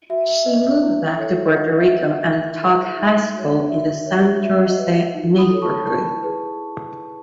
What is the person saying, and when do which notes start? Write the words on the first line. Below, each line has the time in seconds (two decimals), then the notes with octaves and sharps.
She moved back to Puerto Rico and taught high school in the Santurce neighborhood.
0.10 F#4 E5
0.29 E5
0.46 B4 D#5
0.64 E5
0.82 E4
1.18 A4 C#5
1.54 D#4 D#5 F#5
1.79 E5
1.90 G#4 B4
2.02 D#5 F#5
2.26 E4 E5
2.63 G#4 B4
2.98 D#4 E5
3.35 F#4 C#5
3.70 F#4 E5
4.06 C#5
4.42 F#4 E5
4.66 D#5 F#5
4.79 B4
5.14 D#4
5.38 B5 D#6
5.51 A4 C#5
5.62 A5 C#6
5.86 E4 A5 C#6
6.23 G#4 B4